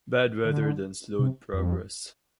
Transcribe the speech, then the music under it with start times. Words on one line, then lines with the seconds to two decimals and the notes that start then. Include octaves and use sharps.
Bad weather then slowed progress.
0.45 D#3
0.50 D3
1.19 C3
1.53 F2